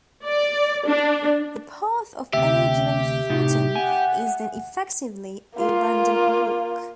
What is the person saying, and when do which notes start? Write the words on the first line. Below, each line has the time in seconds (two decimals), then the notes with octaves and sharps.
The path of any given photon is then effectively a random walk.
0.24 D5
0.86 D4
2.33 D2 C3 G4 E5
3.30 A2 C3 D#4
3.76 F#5 G#5
5.56 A#3 F4